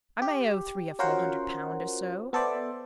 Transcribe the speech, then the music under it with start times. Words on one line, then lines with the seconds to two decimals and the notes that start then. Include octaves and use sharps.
"I may owe three or four hundred pounds or so."
0.22 G4
0.99 C#4 F4 F#4 A#4 C5 F#5
2.33 B3 A4 C5 D5 E5